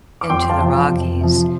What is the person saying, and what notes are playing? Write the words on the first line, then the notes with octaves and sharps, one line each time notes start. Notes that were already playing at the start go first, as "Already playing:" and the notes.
into the Rockies,
D6
F2 G5 C6
F5 A5
C3 F3
F2
C3 F3